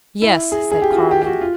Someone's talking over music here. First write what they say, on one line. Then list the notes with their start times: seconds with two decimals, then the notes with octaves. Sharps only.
"Yes," said Carling.
0.22 E4
0.52 G#4
0.71 G#4
0.82 G4
0.92 F4
0.97 F#4
1.11 G4
1.22 G4
1.26 F#4
1.41 F4